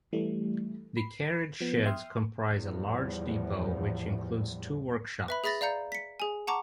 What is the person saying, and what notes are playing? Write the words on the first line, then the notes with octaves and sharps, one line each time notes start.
The carriage sheds comprise a large depot which includes two workshops.
E3 G3 A3
B5 C7
F3 B3
E5 G5 C6 D#6 F6
E2 A2 F3 G3
B4 E5 B5
G#4 E5 B5 A6 A#6
D5 F5 A#5 G6 C#7
B6 C#7
G#4 G#5
F#5 A5 A#5 C#6 D6